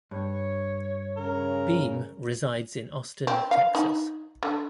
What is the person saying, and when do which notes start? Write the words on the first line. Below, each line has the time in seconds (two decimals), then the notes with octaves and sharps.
Beem resides in Austin, Texas.
0.11 G2 C#5
1.17 C#3 A#4
3.27 C4
3.51 F5
3.75 D#4
4.43 D3